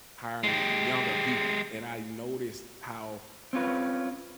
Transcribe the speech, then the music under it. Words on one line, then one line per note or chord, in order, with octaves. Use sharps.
hiring younger people, and I noticed how
G#3 G4
C4 C#4 F4 B4